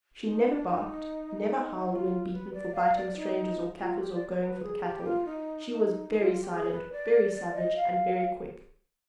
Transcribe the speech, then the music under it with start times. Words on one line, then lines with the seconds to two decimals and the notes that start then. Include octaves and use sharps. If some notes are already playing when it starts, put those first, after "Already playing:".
She never barked; never howled when beaten for biting strangers or kaffirs or going for the cattle; she was very silent, very savage, and very quick.
0.24 D#4
0.45 D4
0.66 D#4
1.91 F4
2.33 B4
2.54 D5
2.75 F5
2.96 D5
3.17 D#4
3.79 F4
4.00 G4
4.14 D5
4.28 C5
4.42 B4
4.63 G#4
4.84 G4
5.04 F4
5.25 D#4
5.67 D#4
6.09 D#4
6.20 F4
6.30 F4
6.41 G4
6.51 G#4
6.72 B4
6.92 D5
7.34 D5
7.55 D#5
7.76 F5